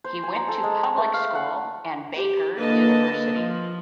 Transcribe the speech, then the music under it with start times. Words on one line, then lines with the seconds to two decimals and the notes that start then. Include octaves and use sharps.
He went to public school and Baker University.
0.04 C5
0.23 G#5
0.36 A#5
0.48 A4
0.63 G#3
0.98 A3
1.14 F5
1.35 F#5
2.14 G4
2.56 D3 A#3 B4 D#5 A5
3.37 F3